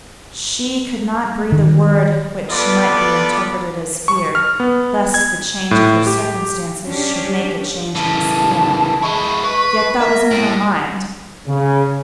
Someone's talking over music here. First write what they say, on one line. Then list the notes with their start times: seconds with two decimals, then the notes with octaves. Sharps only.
She could not breathe a word which might be interpreted as fear lest the change of her circumstances should make a change in his feeling. Yet that was in her mind.
1.52 D#3
2.50 B3 F4 A4 B4 D5 D6
4.08 C#6
4.35 F6
4.60 B3
5.14 G#6
5.71 A2
6.07 G4
6.88 C#4 D4 G4
7.95 C#3 E3 A5
9.03 G#3 E4 C#6
9.44 B4
10.01 A#4 E5
10.31 A2
11.47 C#3